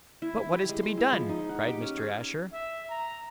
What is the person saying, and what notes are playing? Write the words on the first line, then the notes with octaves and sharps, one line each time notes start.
"But what is to be done?" cried Mr. Asher.
E4
E4
G4
G#3
C6
E4
F3
D#4
F#5
G4
C#4
G#4
E5
A#5